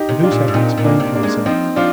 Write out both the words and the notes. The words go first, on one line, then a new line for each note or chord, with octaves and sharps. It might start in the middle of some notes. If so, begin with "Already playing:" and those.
Cahusac explained himself.
Already playing: D#4 G4
C3
D4 F4
A#2
G#2
A#2 C4 D#4
A#2
A#3 D4
C3
A#3 D4
G#3
F3 C4 D#4
F3 D4 F4